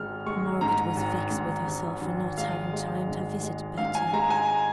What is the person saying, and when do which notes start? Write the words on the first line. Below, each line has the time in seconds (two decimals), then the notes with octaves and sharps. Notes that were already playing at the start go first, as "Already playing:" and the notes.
Margaret was vexed with herself for not having timed her visit better.
Already playing: G#1 G#3 F6
0.26 G#3 C#6
0.61 G#2 A#5
0.97 G#1
1.31 G#2
1.67 G#1
2.01 G#1
2.38 G#3 F5
2.73 G#3
3.07 G#2
3.43 G#3
3.78 G#2 F5
3.95 G#5
4.13 G#3 A#5
4.30 G#5